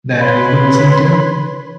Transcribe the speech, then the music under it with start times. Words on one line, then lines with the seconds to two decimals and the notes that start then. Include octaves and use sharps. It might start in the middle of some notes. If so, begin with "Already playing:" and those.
that you've been listening to?
0.19 B4 C#5 B5 C6